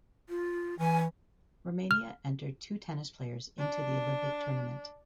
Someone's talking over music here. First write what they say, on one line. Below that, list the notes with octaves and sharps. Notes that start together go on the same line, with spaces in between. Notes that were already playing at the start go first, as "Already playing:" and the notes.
Romania entered two tennis players into the Olympic tournament.
F4
E3 G#5
F6
D4